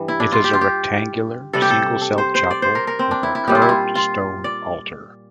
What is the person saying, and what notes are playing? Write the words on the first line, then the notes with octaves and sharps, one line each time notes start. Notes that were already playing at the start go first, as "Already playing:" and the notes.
It is a rectangular single-cell chapel with a carved stone altar.
Already playing: G2 E3 G3
E4
D4
F4
G4
F4
G4
C3 G3 A4
G4
A4
A4
C5
C5
D5
C5
A#4
A#4
C4
D4
E4
E4
A#2 G3 G4
F4
E4
F4
F4
D5